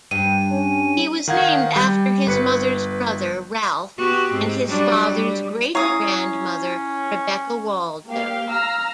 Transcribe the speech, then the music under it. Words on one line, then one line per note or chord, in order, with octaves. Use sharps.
He was named after his mother's brother Ralph and his father's great-grandmother Rebecca Waldo.
G2 D#7
C#4
D#3 D#4 F5 F#5 G#6
G3 G6
G1 B4 C#7
B3 F#4 G4
G#2 C4
F#3 G3 D4
G3
C#4 E4 C#5 A#5 D#6 C7
A#3 G4 F5
F5 A#5 E6 F6